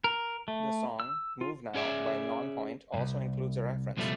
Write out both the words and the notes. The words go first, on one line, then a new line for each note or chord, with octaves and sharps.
The song "Move Now" by Nonpoint also includes a reference.
A#4
A3
E6
F4
C#4 G#4 D5 E5
C2 G2
C#2 B2 F3 G3 A3